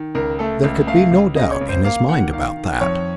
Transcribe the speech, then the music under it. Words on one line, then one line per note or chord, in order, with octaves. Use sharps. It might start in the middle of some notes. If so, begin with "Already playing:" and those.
There could be no doubt in his mind about that.
Already playing: D#3
C#2 A#4
A3 A4
C#2
A3 F5
C#2
C#3 D#5
C#5
C#2
C5
A#3 F5
D#3 F#5
D#3 F5
D#3
F2 C#5